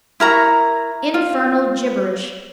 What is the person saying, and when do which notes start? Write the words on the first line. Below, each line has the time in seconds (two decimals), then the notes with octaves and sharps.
Infernal gibberish!
0.20 E4 A#4 A#5 C#6
1.14 F4